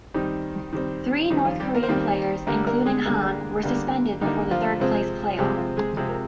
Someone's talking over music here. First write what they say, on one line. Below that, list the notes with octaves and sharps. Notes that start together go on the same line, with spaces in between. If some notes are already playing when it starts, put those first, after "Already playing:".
Three North Korean players, including Han, were suspended before the third place play-off.
D#3 G3 C4 D#4
D#3 G3 C4
D#3 G3 C4 D#4
F3 F4
G3 G4
A#3 A#4
C5
D#3 G3 A#3 C4 A#4
D3 G3 A#3 A#4
A#3 A#4
G#3 G#4
D3 G3 A#3
D3 G3 A#3
D3 G3 A#3 D#4
F3 F4
C3 F3 G#3 C4
C3 F3 G3 G#3 C4 G4
F3 F4
G#3 G#4
C3 F3 G#3 C4 G#4
A#4